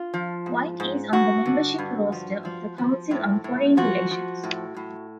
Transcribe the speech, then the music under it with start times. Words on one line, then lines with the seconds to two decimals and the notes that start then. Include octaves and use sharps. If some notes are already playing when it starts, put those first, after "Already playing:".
White is on the membership roster of the Council on Foreign Relations.
Already playing: F4
0.14 F3
0.46 G#2
0.80 G#2
1.13 G2 F#4
1.46 D3
1.79 G2
2.12 F3
2.45 F3
2.78 F3
3.11 A2
3.44 A2
3.77 F3 F#4
4.11 F3
4.44 A2
4.77 A2